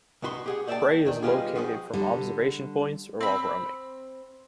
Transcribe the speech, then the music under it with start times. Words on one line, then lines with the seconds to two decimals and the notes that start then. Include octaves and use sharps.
Prey is located from observation points or while roaming.
0.22 C2 B2 B3 F#4 B5 C6
0.46 G4 G#4 F#5
0.67 C5 D5 E5 F#5 G5 A5
1.05 E2 D#3 D4
1.22 G3 G#3 B3 F4 G4 G#4
1.55 F3 F#4 G#4 C5
1.93 D3 G3
3.21 C4 B5